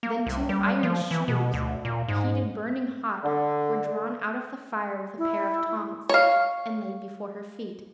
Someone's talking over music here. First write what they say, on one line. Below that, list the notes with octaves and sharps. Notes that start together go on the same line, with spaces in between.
Then two iron shoes, heated burning hot, were drawn out of the fire with a pair of tongs, and laid before her feet.
A#3
C2
G3
F3
E3
B2
D2
A#2
G#2
D3
E4
C#5 F5